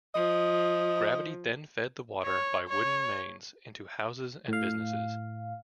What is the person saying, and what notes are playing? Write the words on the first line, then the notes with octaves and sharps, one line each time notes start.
Gravity then fed the water by wooden mains into houses and businesses.
F3 D#5
C#5
C#5
A2 F5